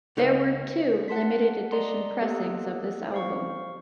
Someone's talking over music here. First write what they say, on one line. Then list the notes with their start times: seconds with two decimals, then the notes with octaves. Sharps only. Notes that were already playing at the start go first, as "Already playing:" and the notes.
There were two limited-edition pressings of this album.
0.17 C#2 D#4 B4 C5 F5
1.08 F#5 A5 C6 B6
1.72 D5 D#5 A#5 C6
2.22 A#3 B3 G4 A4 D#5 F#5
3.12 C5 F5 C#6